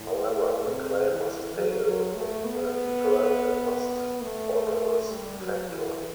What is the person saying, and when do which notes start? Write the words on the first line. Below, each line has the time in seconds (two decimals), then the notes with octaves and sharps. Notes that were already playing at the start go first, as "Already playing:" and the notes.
However, the claim must fail on the third and most onerous factor.
Already playing: A2
0.67 C3
1.11 E3
1.56 F#3
1.85 F#3
2.15 A3
2.44 B3
4.22 A3
5.11 G3
5.40 F#3
5.69 E3